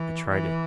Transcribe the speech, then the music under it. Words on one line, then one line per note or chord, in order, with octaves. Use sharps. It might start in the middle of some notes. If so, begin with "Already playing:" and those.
I tried it.
Already playing: E3
E3